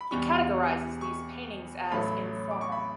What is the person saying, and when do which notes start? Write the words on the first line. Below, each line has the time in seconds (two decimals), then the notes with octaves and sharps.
He categorises these paintings as 'informal'.
0.01 B5
0.11 E1 E2 B2 G3 C#6
1.01 C#6
1.92 A1 A2 F#3 A3 B5
2.51 D6
2.61 C#6
2.72 B5